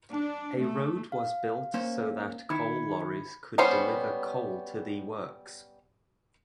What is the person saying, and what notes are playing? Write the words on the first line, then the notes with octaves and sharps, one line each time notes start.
A road was built so that coal lorries could deliver coal to the works.
D4
A3
F5
A#3 C#4 C5
D#3 E4 B5 G#6 C#7
G3 B3 C#4 C5